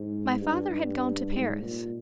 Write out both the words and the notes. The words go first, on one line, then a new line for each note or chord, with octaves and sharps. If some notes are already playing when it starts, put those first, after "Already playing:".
My father had gone to Paris.
Already playing: G#2
G2
G2
G#2
A#2